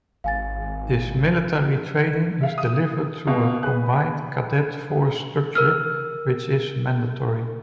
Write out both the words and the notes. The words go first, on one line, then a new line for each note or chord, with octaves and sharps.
This military training is delivered through a Combined Cadet Force structure which is mandatory.
G#1 F5 G#5 A6
E5 F5
D#6
B2 F5
G#4 B4 F#6
A#4 E6 F6